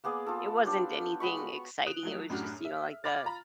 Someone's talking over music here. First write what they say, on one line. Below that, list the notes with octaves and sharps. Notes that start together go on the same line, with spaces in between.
it wasn't anything exciting, it was just, you know, like the
A#3 B3 G#4 D5
F4 A4
D4 G4 C#5
G#3 B3 B5 C#6
F#4
D#6 F#6 D7 F7
F3 F#3 A3
F#2 A2 D4 F#4 G4 F6
E5
B5 D6 F6 A6
F4 A#5 B5